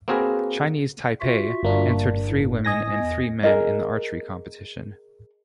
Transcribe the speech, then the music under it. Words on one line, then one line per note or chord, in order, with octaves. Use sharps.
Chinese Taipei entered three women and three men in the archery competition.
A#3 C4 F#4 G#4 A#4 B4
F4 F#4 E5
G1 A#3 D4
A2
D#5 G#5 A#6
E2
G#4 A#4 D#5